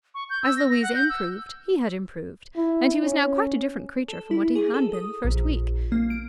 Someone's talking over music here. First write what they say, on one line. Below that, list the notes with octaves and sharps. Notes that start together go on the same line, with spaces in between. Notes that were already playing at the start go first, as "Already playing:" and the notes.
As Louisa improved, he had improved, and he was now quite a different creature from what he had been the first week.
C#6
G6
E6
A#6
A#6
F#5
G6
E6
E4
C#4
A4
E4
G#4
A4
D#6
A#1
A#3
D7